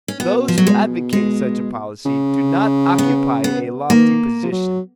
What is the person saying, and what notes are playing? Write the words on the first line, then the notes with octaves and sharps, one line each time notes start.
Those who advocate such a policy do not occupy a lofty position.
C#4
B2 B3
F3
F#3
G#3
G#3
C#3
B3
B3
D#3 A#3
F3
F#3